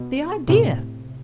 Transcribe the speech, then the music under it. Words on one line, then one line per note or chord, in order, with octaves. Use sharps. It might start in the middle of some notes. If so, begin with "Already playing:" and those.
The idea!
Already playing: B2
A2 C3